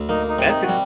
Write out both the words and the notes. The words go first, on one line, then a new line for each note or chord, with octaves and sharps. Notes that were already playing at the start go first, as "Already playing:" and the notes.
that's i
Already playing: D2
A#3 D#4
D#4
C3
D#4
F#4
G3